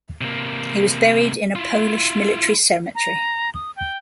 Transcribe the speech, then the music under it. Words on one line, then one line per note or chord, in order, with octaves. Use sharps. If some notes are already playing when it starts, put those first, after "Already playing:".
He was buried in a Polish military cemetery.
C3 A#3
E4 F4
A#5
D#6
G5